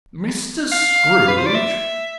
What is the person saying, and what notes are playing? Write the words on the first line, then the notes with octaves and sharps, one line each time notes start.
"Mr. Scrooge?"
F5
B4
C5
D5
E5